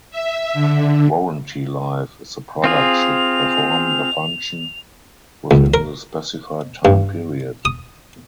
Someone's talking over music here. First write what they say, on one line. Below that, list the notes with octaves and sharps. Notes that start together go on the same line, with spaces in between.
Warranty life is the product should perform the function within the specified time period.
E5
D3
C4 F4 G#4 F7
C#2
A#4
G2
D#6